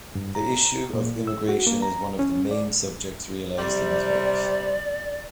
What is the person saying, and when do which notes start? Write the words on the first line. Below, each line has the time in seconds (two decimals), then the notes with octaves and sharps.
The issue of immigration is one of the main subjects realised in his works.
0.15 G2
0.35 A#5
0.93 A#2
1.27 E6
1.49 F#4
1.67 A#3
1.82 A#5
2.19 C#4
2.51 D5
3.58 C3 G3 D5